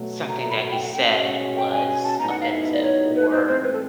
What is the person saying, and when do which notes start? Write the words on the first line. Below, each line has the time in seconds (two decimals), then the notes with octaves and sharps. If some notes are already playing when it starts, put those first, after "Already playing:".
something that he said was offensive or
Already playing: B2 F#3 A3
0.29 A#5
0.39 A#5
0.50 B5
0.71 G5
0.82 F#5
0.92 B2 G#3 C#4 F#4 G5
1.08 F#5
1.25 F#5
1.56 G5
1.72 G#5
1.87 G#5
2.03 A5
2.19 A2 F#3 B3 D#4 A#5
2.30 F#5
2.41 F5
2.51 E5
2.61 E5
2.73 D5
2.83 C#5
3.15 B4
3.31 C5
3.46 A2 E3 G#3 C4 C5
3.63 B4
3.73 A4